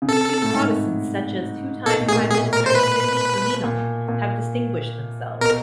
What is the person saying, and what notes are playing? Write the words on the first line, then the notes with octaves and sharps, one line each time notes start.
A few Protestants, such as two-time Prime Minister Sidney Sonnino, have distinguished themselves.
C#3
C3 A4
A2
G#2
B2 A4
A#2
A2 G#4
A#2
B2 G#4
A#4
C5
B4
A#2
A#2
B2 A#4